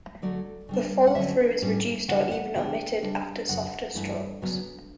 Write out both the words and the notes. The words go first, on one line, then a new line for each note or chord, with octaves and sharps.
The follow through is reduced or even omitted after softer strokes.
D3 F#3 A3 D4 D5
C#3 G3 D4
F#5
D3 F#3 C#4 E5
A2 G3 C#4
C#3 E3 G3 D4 F#5
F#5
C#3 E3 B3 D4 G5
C#3 G3 D4
F#2 C#3 F#5
G2 E3 A3 E4
D2 C#3 F#3 B3 D4